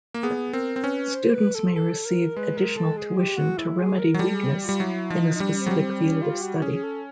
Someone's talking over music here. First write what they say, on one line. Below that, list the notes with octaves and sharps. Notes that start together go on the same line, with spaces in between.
Students may receive additional tuition to remedy weakness in a specific field of study.
A#3
B3 G#4
C4 A#4
C4
C#4 B4
C5
B4
A4
A4
A#4
G#3 B4
A#4
A4
G#4
G4
F#4
E4
G#4
A#4
F#3
G3 A4
G#4
G4
G3 F4
F#3 E4
F3 D#4
D#4
G3 D4
C#4
C4
F#3
G3
C4
C#4
F4
F#4
C#4 G#4
A4